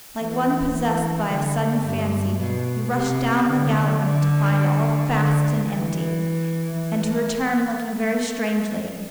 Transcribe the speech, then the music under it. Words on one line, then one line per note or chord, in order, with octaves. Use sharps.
Like one possessed by a sudden fancy he rushed down the gallery to find all fast and empty, and to return looking very strangely.
E3
E3
D3
G2
B2
C3
D3
D3
D3
E3
E3